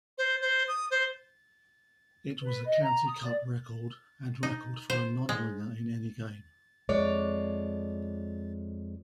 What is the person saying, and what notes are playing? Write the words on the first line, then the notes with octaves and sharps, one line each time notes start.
It was a County Cup record and record for a non-winger in any game.
C5
C5
D#6
C5
B4
D#5
A#5
D#6
D5
D#4
C5
G#3
F2 G#3 C#5 D5